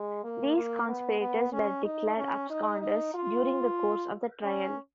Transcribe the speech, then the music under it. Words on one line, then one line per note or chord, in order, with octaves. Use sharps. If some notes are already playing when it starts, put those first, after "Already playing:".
These conspirators were declared absconders during the course of the trial.
Already playing: G#3
A#3
A#3
B3
B3
C#4
D#4
C#4
D#4
D#4
F4
C#4